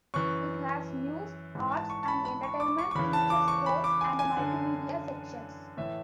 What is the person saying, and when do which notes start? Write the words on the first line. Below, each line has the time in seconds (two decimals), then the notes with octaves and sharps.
It has news, arts and entertainment, features, sports and multimedia sections.
0.14 F#2 E3 C#6
1.55 G#2 E3
1.72 A5
1.90 C#6
2.03 A5
2.08 B5
2.25 B5
2.43 C#6
2.60 D6
2.79 C#6
2.91 C#6
2.95 E2 C#3 E3 B5
3.13 A5
3.30 D6
3.48 C#6
3.66 B5
3.84 D6
4.01 G#5
4.19 G#5
4.37 F#2 D3
5.77 A2 E3 E5